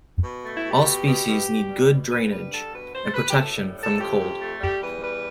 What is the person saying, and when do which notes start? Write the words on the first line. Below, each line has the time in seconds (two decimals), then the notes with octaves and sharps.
All species need good drainage and protection from the cold.
0.23 B2
0.44 A3
0.54 E4
0.64 B2
0.69 G4
0.84 B2
1.06 B2
1.27 B2
1.48 B2
1.68 G3
1.89 B2
2.10 G2 B4
2.31 G3 B4
2.51 D3 A4
2.72 B2 B4
2.93 B2 C5
3.04 A4
3.14 B2 B4
3.29 G4
3.35 A2 A4
3.55 G3
3.76 A2
3.82 A4
3.97 F2 G4
4.19 F2
4.38 A3
4.60 G3 G4
4.81 E2 B4
5.01 G3 B4